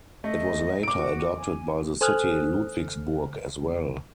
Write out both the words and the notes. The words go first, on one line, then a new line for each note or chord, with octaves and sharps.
It was later adopted by the city Ludwigsburg as well.
A3 D#5
D6 D7
F#4
G#5
A4 C5 G#5 D#6 F6 F#6